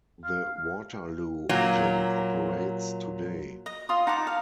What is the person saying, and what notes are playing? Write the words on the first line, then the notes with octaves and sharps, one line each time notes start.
The Waterloo Gin operates today.
F5
A#2 F#3
D#5
F4 C6 D#6
D#4 F#5 A5 D6
F5